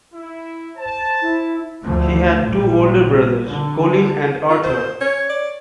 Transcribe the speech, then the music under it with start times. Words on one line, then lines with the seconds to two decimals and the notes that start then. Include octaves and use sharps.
He had two older brothers, Colin and Arthur.
0.14 E4
0.77 C5 A5
1.21 E4
1.82 D2 D3 F3 A3
2.43 A1 A#2 G3
3.46 D3
4.50 F4
4.64 C5
5.01 C#5
5.29 D5